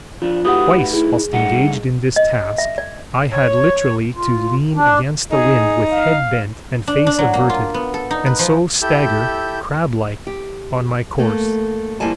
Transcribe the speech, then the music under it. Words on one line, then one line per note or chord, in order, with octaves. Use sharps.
Twice whilst engaged in this task I had literally to lean against the wind with head bent and face averted and so stagger crab-like on my course.
F3 D4 F4
A3 D#4 F#4 G4 B4 F#5 D#6
E4 G#4
G2 A3 D#4 F#5
D#5
E5
D5
C#5
F4
D4
D#4 G#4
F5
D4
D4
F#3
A#3
F4
B3
A4
D#4
B4
F3
E4 G4 A4 E6 G6
G4
A3 A#3
F2 G3 A#3 E4 G#5 A5